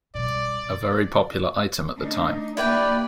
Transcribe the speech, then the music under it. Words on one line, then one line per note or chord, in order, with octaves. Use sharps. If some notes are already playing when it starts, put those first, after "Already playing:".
A very popular item at the time.
B2 G3 D5
A3 D4 D#4
A#3 E4 G4 B4 D5 G5